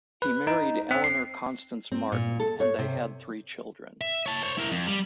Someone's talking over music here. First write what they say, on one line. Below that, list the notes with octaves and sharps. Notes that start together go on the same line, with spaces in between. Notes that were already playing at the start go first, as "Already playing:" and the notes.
He married Elinor Constance Martin and they had three children.
B4
D#4
C4
C7
C4
A#2
A4
C#5
C3
E5
C#5 A5
C5 C#5
E4 A#4
F2
G3